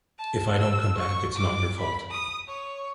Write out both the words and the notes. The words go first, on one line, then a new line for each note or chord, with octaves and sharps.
If I don't come back, it's not your fault.
A5
E6
C#6
D6
B5
D#6
C#5